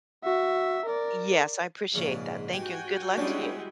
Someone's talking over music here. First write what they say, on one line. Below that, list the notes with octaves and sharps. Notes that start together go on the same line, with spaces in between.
Yes, I appreciate that. Thank you and good luck to you.
F#4 E5
A#4 D5
A#1 G#2 C#3 D4
F#4 G4 G5 G#5
G3 G#3 B3 C#4 D4 E4 C6 D6